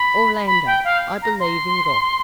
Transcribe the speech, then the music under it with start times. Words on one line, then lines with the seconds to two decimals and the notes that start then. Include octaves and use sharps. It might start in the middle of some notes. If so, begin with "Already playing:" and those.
"Orlando, I believe in God."
Already playing: B5
0.47 B5
0.66 G5
0.84 F5
1.22 A#5
1.40 C6